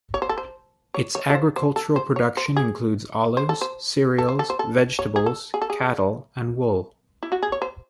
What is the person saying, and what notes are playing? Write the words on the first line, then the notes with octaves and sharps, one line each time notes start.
Its agricultural production includes olives, cereals, vegetables, cattle and wool.
C#5
C5
A4
C5
C#5
C#5
A4
C5
C5
A4
C5
C#5
C5
G#4
C5
A4
C5
A4
C5
A4
C5
A4
C#5
G#4
A4
G#4
A4
G#4
E4
F#4
G#4
C#5
C5